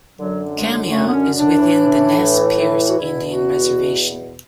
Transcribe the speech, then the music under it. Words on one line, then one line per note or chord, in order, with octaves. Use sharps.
Kamiah is within the Nez Perce Indian Reservation.
F#2 D3 F#3
G#3
A3
B3
C#4
D4
A2 E3
F#4
E2 B2 E4
F#4